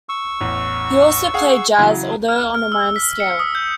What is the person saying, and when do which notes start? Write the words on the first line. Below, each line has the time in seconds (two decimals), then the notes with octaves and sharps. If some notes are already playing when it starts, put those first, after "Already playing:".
He also played jazz, although on a minor scale.
0.09 C#6 E6
0.41 A1 E2
1.34 G#4 F5 F#5
1.78 C#3 E3 F#3
2.29 F6
2.55 F6
2.72 E6
2.96 B6
3.20 C#7
3.40 D#6
3.55 G6